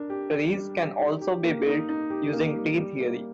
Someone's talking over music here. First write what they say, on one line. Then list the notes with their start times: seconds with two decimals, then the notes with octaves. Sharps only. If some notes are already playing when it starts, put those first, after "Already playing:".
Trees can also be built using T-theory.
Already playing: D4 A#4
0.10 G4
0.32 G4
0.54 G3
0.76 G4
0.99 D#4
1.21 G4
1.43 A#3
1.67 D#4
1.89 D#4
2.10 G4
2.33 A#3
2.55 G3
2.78 G3
3.01 A#3